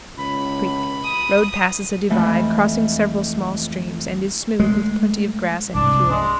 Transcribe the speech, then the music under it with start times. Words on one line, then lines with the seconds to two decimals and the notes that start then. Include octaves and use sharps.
Creek.--Road passes a divide, crossing several small streams, and is smooth, with plenty of grass and fuel.
0.17 C#2 B5
1.03 D#6
2.10 F2 G#2 E3 A3
4.60 G#3 A3
5.75 C2 G#2 D4
6.10 G#3 D4